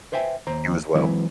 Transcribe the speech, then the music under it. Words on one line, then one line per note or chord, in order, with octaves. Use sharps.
You as well.
B4 C5 E5 G5 G#5
D#2 C5 A#5
E3 F#3 G#3 C4 E4 B4